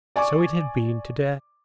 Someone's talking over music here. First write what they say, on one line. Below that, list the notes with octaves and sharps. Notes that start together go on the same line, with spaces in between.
So it had been today.
D5 G#5 C#6 D6